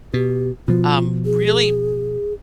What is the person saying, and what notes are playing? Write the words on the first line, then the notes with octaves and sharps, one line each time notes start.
um, really
B2 G4
B2 F3 F4
G#4